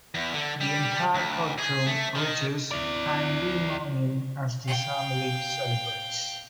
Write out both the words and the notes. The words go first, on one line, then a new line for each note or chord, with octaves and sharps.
The entire courtroom reaches pandemonium as the family celebrates.
E2
D3
G3
D2
G#4
A3
D#3
E4 D5
F5 G5